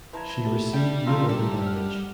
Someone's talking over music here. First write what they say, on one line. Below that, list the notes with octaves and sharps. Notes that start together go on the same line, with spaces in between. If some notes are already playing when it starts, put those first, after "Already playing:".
She received no other damage.
F3 E4 B4 A#5 G#6
A3 G4 A5
G3 D5 G5
F3 G3 A3 F4 E5 A#5 E6
G3 G4 A4
F#5 F6